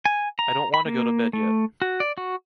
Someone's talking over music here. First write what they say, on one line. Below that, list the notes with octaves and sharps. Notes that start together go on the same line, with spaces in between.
I don’t want to go to bed yet!
G#5
A#5
B5
A#3
A3
F#4
D5
F#4